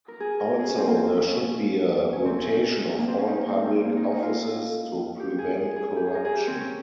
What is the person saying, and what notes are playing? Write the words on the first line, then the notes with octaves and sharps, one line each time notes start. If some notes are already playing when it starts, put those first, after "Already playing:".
Also, there should be a rotation of all public offices to prevent corruption.
A#4
G#4
A#4
G#4
C#4
C4
A#3
C4
C#4
C#4
C4
C#4
D#4
A#3
C4
C#4
D#4
C4
C4
A#3
D#4
C#4
D#4
F4
G4
G#4
G#4
G#4
G4
G#4
A#4
G#4
G4
C4
C#4